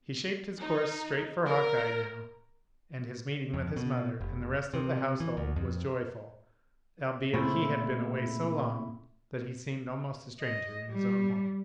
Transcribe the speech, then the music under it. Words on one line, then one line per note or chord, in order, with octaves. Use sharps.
He shaped his course straight for Hawkeye, now, and his meeting with his mother and the rest of the household was joyful--albeit he had been away so long that he seemed almost a stranger in his own home.
D#4
A#4
F2
B2
F1
C3
E3
D2
F2
A#2 C#3 A3 C4 E4 F4
D#5
G3